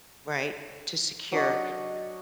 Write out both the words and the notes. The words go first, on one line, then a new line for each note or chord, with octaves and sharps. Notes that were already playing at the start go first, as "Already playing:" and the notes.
right, to secure,
F#3 D4 D#5 C#6